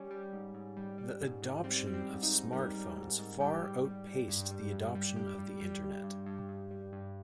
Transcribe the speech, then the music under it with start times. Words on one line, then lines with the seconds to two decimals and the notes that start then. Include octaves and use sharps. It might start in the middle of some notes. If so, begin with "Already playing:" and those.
The adoption of Smartphones far outpaced the adoption of the internet.
Already playing: G3 C#4
0.10 G3
0.33 G#2
0.54 G#2
0.77 G3
0.98 G3
1.21 G#2
1.42 G#2
1.64 G3 C4
1.87 G3
1.94 C4
2.08 G#2
2.23 D#4
2.30 G#2
2.52 G3 A#4
2.74 G3
2.97 G#2
3.18 G#2
3.40 G3 G4
3.62 G3
3.85 G3
4.07 G3
4.28 G2
4.51 G3
4.72 G2
4.95 G3
5.16 G2 G4
5.39 G3
5.61 G3
5.83 G2
6.04 G2
6.26 G2
6.48 G2
6.71 G3
6.93 G2